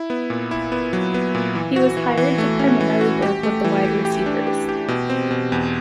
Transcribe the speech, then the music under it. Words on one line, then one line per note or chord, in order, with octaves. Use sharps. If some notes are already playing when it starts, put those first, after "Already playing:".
He was hired to primarily work with the wide receivers.
Already playing: E4
B3
A#2
E4
B3
F#3
B3
A#2
E3
F#4
E3
E3
A3
C#4
E3
F#4
G4
A3
E3
G4
G4
D4
G4
G4
B2
C4
B2
E2